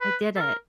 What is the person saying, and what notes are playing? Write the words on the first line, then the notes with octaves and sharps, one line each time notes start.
I did it.
B4
A4
A#4